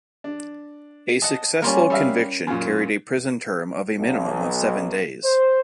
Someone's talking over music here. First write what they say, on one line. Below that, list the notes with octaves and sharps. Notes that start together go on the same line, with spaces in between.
A successful conviction carried a prison term of a minimum of seven days.
D4
D#5 F#5 A5
G3 A#3 C#4 F4 A#4
G3 E5 F5
F#2 A#2
B1
C5